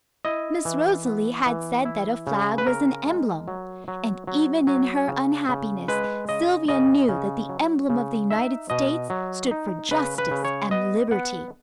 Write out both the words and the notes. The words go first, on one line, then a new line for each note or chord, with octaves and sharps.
Miss Rosalie had said that a flag was an "emblem," and even in her unhappiness Sylvia knew that the emblem of the United States stood for justice and liberty.
E4 D#5
E3
B3
E3
E4
C#3
B4
C#3 A#4
G#3
F#3
F#3
F#3
F#3
C#3
C#3
G#3 B4
C#3 D#5
C#3 D#5
C#3
F#3
C#3
D#4 E5
B2 D#5
F#3
D#4
C#3 B4
B4
C#3
C#5
B3 D#5
B3 F#5